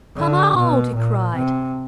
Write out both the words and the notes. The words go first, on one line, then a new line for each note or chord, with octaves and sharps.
"Come out!" he cried.
D3
B2
A#2
C3